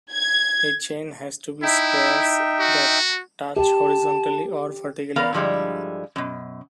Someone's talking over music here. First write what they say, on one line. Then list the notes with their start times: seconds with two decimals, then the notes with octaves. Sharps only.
A chain has to be squares that touch horizontally or vertically.
0.13 G#6
1.63 D#4 E4 E5 G5
2.60 F#4
3.56 G4 A5
5.16 E2 B3 A#4 F5
5.33 G2 D3 F3 G3 G#3 E4
6.16 F#2 B2